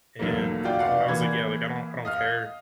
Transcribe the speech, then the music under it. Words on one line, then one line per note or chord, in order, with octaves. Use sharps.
and I was like, "Yeah, like, I don't I don't care,"
B1 E2 F#3 A3 A#3
F4 F#4 D5 G5
F1 D5 F5 F#5
E3 A#3 G#6
D#5 F5 F6